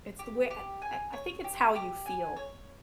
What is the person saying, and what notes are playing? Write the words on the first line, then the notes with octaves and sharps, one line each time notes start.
it's the way I I I think it's how you feel
G4
G4
G#5
C#5
G4
G4
G#5
C#5